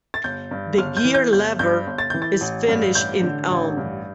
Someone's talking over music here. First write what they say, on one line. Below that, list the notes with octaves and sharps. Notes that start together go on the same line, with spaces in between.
The gear lever is finished in elm.
A6
G1 G6
G2
G1 F6
G6
E3
G6
G1 G6
G2 G6
G1
A6
E3 G6
A6
A1
G2
A1 G6
D3
A1
G2